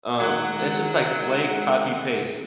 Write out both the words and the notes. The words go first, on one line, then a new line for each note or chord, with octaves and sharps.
Um, it's just, like, blank, copy, paste,
D#3 F#3 G#3 F#5